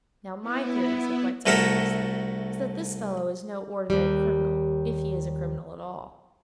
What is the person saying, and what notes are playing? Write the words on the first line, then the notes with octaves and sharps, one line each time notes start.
Now my theory," said Whiteside earnestly, "is that this fellow is no ordinary criminal, if he is a criminal at all.
B3 E4
C2 A3 F#4 A4 A#4 E5
D#2 G3